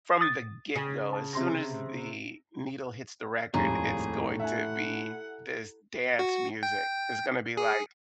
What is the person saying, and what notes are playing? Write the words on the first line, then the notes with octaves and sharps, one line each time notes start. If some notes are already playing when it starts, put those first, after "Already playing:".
from the get go, as soon as the needle hits the record, it's going to be this dance music. It's gonna be like,
D#6 A6
C#3 G#4
A5
C3 C6 A#6
D#1 G#1 F2 A2 G4 G#4 A#5
E5 F#5 G#5
F#4
G5
G#4